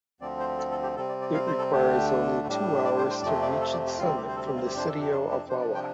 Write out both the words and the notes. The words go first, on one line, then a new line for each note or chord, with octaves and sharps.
It requires only two hours to reach its summit from the sitio of Wawa.
D2 D3 F3 C4 D5
C5
A4
A4
G4
C3 G3 C4 A4
D5
D5
F5
C5
A4
D2 D3 A3 D4 G4
A2 G3 D4
D5
C5
C5
F2 C3 F3 A3 D5
D5
A4
D5
G4
D2 C3 G3 C4 F4
G4
C5
A4
G4
F4
G4
F2 C3 F3 D4 C5
A4
G4
F4
G4
C3 F3 D4 C5
D5
G5